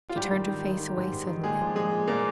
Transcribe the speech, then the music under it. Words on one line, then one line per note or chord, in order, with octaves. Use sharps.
She turned her face away suddenly.
F4
G#2 G3 G4
D#3
D#3
D#3
D#3
G#2
G#2
D#3
A#2 G#3 G#4
F3
A#2 G#3 G#4
A#2
A#2 F3 A#3